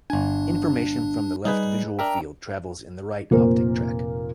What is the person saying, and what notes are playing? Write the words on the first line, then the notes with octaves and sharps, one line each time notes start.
Information from the left "visual field" travels in the right optic tract.
G1 D4 G#5
G3 D#4 G#4 B4
D4 A#4 E5 G5 A#5
F1 A#2 A#3 A#4 C5